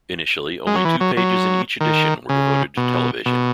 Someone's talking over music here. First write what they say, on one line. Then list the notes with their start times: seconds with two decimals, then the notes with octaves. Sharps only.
Initially only two pages in each edition were devoted to television.
0.67 G#3
0.75 F#3
0.85 E3
1.00 F#3
1.17 F#3
1.80 D#3
2.29 C#3
2.77 B2
3.26 B2